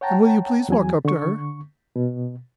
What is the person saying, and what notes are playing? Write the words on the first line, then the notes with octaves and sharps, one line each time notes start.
"And will you please walk up to her?"
C#5 F#5 G5 A5 A#5
E2 F#3 G#5
D3 C#6
B2